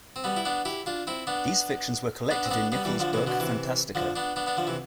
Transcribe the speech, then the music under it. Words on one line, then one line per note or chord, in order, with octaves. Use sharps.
These fictions were collected in Nichols' book "Fantastica".
C4
G3 B3
E4
B3 D4
E4 G4
D4 F4
C4 E4
B3 D4
B3 D4
C4
B3 D4
G3 B3
E3 G3
D3 F3
C3 E3
B2 D3
C3 E3
D3 F3
B3 D4
B3 D4
B3 D4
D3 F3
C3 E3